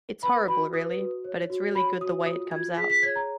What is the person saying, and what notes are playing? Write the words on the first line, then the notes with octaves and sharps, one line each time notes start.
It's horrible really, but it's really good the way it comes out.
B4 B5
F#4 B5
B4 D#6
F#4
C#5
F#4
C#5 B5
F#4 D#6
F4 D#6
F4 G#6
G#4 B6
B6
C#5 G#6
A#5